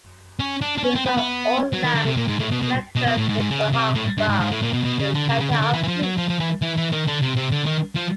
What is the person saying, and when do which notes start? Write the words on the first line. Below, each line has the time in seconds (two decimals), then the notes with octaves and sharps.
These were oil lamps with reflectors which were hung above the center of streets.
0.40 C#4
0.61 D4
0.78 D4
0.84 C#4
0.95 C4
1.06 B3
1.17 B3
1.73 F#3
1.84 D#3
1.95 D3
2.06 C3
2.17 A#2
2.28 G#2
2.39 A2
2.51 B2
2.62 B2
2.96 B2
3.06 B2
3.17 A2
3.29 G#2
3.39 G#2
3.51 C#3
3.73 C3
3.95 A2
4.18 G2
4.29 G#2
4.40 G#2
4.51 A2
4.62 A#2
4.73 B2
4.84 B2
4.99 C#3
5.14 D3
5.29 C#3
5.40 C#3
5.51 D3
5.62 D3
5.73 E3
5.83 E3
5.88 F3
6.03 F#3
6.18 F3
6.29 F3
6.40 E3
6.62 E3
6.77 E3
6.92 D#3
7.07 D3
7.22 C3
7.37 C3
7.52 D3
7.66 D#3
7.96 F3